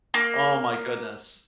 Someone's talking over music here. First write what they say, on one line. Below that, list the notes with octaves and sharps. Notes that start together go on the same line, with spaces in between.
oh my goodness.
A#3